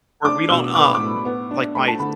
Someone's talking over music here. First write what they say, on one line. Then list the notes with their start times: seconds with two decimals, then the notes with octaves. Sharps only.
where we don't, um, like my
0.24 D4 D6
0.50 B2 E6
0.75 B3 D6
0.85 B5
0.95 D6
1.00 A2
1.25 B3
1.51 D4
1.75 A3 B5
1.88 A5
2.00 D3 B5